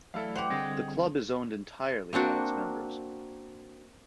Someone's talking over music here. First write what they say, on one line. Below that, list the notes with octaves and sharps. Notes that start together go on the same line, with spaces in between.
The club is owned entirely by its members.
E3 F#3 A3 E4 A4 D5 E5 F5
G4 C5 F#5 F7
D3 G3 C4 G#4 D#5 G5
A#3 C4 D4 F#4